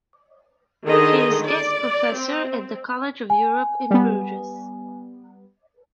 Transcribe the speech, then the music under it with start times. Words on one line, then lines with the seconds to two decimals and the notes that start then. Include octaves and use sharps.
He is guest professor at the College of Europe in Bruges.
0.86 D3 D#3 G#4 D#5
1.45 D5
2.17 C4
3.30 G#5
3.91 G3 B3